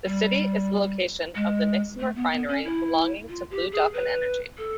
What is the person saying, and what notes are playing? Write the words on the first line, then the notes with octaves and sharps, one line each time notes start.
The city is the location of the Nixon Refinery belonging to Blue Dolphin Energy.
G3
G#3
A3
B3
B3
C#4
E4
F4
G4
G#4
B4
A4